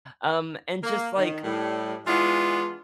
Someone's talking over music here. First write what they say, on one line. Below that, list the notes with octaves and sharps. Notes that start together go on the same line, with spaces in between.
Um, and just like,
A#3
D#3
A2 G3
E3 G#3 B3 D4 E4 F4